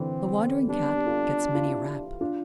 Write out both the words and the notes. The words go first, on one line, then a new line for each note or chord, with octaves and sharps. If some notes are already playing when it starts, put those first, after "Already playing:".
"The wandering Cat gets many a rap."
Already playing: D3 E3 C4
C4
G3 B3 D4
G4
F4 A4
G4
F4
E4 G4
D4 F4